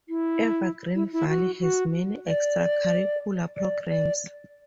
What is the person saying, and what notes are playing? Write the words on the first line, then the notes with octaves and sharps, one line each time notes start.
Evergreen Valley has many extracurricular programs.
E4
E4
E4
F#4
F#4
D5
D5
D5